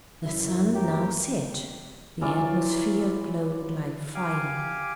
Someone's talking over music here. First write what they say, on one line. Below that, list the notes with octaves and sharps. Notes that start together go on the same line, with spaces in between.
The sun now set: the atmosphere glowed like fire.
F#2 E4
G4 A#4
E3 F#3 F4 D5
G4 F5 G#5 D6